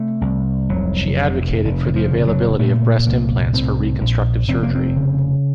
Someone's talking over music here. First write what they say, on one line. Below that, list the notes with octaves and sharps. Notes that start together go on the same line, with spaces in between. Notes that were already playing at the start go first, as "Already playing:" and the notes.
She advocated for the availability of breast implants for reconstructive surgery.
Already playing: C3 A3
C2
F1 F#3
C3
F1
D#3
F3
C#3
F#3
A#2 A3
C2 A#3
A2 C4
A#1
F1 C4
A#3
C4
C#3